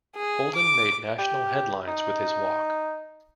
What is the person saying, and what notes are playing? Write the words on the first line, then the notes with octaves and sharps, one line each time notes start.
Holden made national headlines with his walk.
G#4
D6
G4
D#4